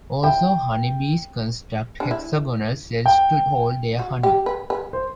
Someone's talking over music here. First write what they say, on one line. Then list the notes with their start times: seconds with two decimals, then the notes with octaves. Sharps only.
Also, honeybees construct hexagonal cells to hold their honey.
0.23 E4 G5
2.00 D4
2.11 E4
3.06 G5
3.99 F#4
4.23 G4
4.46 B4
4.70 B4
4.93 C5